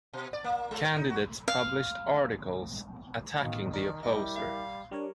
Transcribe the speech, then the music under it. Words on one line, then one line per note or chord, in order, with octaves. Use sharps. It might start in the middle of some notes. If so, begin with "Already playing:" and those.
Candidates published articles attacking the opposer.
B2
D5
A#3
G#3
A#4
D#4
F#4
F5
A1 B2 D#3 F5
A#4 D5
G3 E4 D#5
F5
G3 D4 A#4 C#5